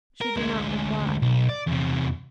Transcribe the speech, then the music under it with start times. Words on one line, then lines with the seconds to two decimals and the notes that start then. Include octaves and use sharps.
She did not reply.
0.21 A#4
0.36 D2 G#3
1.22 B1
1.50 D5
1.67 E2 C3